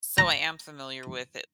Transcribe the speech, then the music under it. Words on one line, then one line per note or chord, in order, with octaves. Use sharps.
So I am familiar with it
A#5